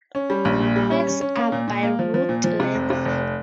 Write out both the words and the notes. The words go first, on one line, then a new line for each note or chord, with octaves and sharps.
Fares are by route length.
C#4
G3
A#1
A#2
G3
C#4
C#4
C#4
A#3
A#2
A#2
A#3
F3
F3
A#2
F3
C3
F1
C3
F1